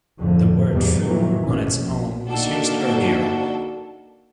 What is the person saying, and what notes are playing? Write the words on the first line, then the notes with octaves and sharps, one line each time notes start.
The word "foo" on its own was used earlier.
G#1 F2 A2 D3
F1 E2 G#2 B2 G3 B3
F2 A2 D#3 E3 F#3
G#1 B2 C#4
A#1
D3 A#3 D4 D#4 F#4 A4